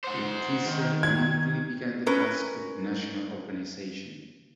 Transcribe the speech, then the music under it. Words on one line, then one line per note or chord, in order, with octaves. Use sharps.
Urquiza immediately began the task of national organization.
C5 F#5
D#3
G#6
C#4 A#4 B4